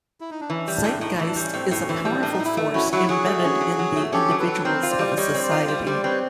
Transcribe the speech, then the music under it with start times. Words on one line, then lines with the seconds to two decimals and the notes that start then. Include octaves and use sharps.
Zeitgeist is a powerful force embedded in the individuals of a society.
0.20 E4
0.31 D#4
0.41 D4
0.50 E3 C#4
0.68 G3
0.76 D4
0.84 A2
1.01 A2 D#4
1.15 E3 E4
1.28 D4
1.36 G3 C#4
1.54 A2 C4
1.71 A2
1.80 C#4
1.87 E3 C4
1.94 C#4
2.05 G3 D4
2.14 C#4
2.19 A2 D4
2.32 D#4
2.40 A2 E4
2.57 A3
2.74 C#4 E4 F#4
2.92 F#3 E4 F#4
3.09 F#3 F#4 G#4
3.26 A3
3.44 C#4
3.61 F#3
3.79 F#3
3.96 A3
4.13 C#4 G4 A4
4.31 F#3
4.39 A4 B4
4.47 F#3
4.65 C4 A#4 C5
4.83 F4
4.91 C5 D5
4.99 G3
5.17 G3 C#5 D#5
5.34 C4
5.43 C5 D5
5.51 F4
5.68 G3 C5 D5
5.86 G3 C5 D5
6.04 C4 B4 C#5